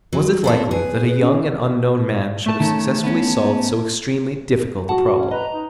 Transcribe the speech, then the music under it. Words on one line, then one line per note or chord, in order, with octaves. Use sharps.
Was it likely that a young and unknown man should have successfully solved so extremely difficult a problem?
F#3
B3 C4 A4
G#4 B4
C#4
A3 A5
D#3 C#4
B3 C#4
F#4 F#5 A5
C#4
B4 D#5 A#5
D#4